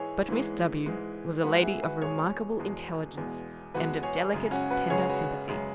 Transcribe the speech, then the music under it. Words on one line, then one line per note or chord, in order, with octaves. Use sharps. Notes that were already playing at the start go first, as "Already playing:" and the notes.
But Miss W--- was a lady of remarkable intelligence and of delicate tender sympathy.
Already playing: G#2 E3 G#3 G#4 C#5
G#2 E3 G#3
G#2 E3 G#3
G#2 E3 G#3 F#4 B4
E4 G#4
F#4 B4
E2 B2 G#3 G#4 C#5
E2 B2 G#3
E2 B2 G#3
E2 B2 G#3 F#4 B4
G#4 C#5
F#2 C#3 G#3
C#4 F#4
F#4 B4
F#2 C#3 G#3 G#4 C#5
F#4 B4
F#2 C#3 G#3